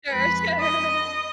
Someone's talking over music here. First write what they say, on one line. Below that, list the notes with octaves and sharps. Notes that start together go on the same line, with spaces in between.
Sure, sure.
F2 F3 G#3 B4 B5
D#5 D#6